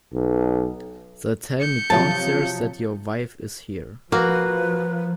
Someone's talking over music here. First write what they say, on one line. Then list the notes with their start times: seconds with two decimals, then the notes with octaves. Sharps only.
They tell me downstairs that your wife is here.
0.13 B1
1.60 G6 C#7
1.90 C3 F3 F#3 A5
4.12 F3 A#3 F#4 B4